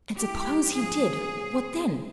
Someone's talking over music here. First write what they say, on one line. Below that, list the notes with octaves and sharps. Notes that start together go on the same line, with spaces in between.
And, suppose he did, what then?
G2 E3 G4
G#2 F3 G#4
A#2 F#3